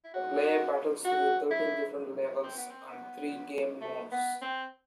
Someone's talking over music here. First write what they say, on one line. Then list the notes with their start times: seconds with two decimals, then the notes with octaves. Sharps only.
The player battles through thirteen different levels and three game modes.
0.04 E4
0.14 F#4
1.05 F#4
1.51 E4
2.43 C4
2.57 B3
2.70 C4
2.89 B3
3.81 A3
4.12 B3
4.42 C4